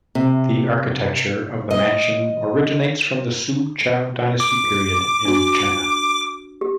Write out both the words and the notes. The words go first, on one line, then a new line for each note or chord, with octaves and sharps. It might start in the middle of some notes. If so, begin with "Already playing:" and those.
The architecture of the mansion originates from the Su Chow Dynasty Period in China.
C3
D#5
D6
D4 F#4
G4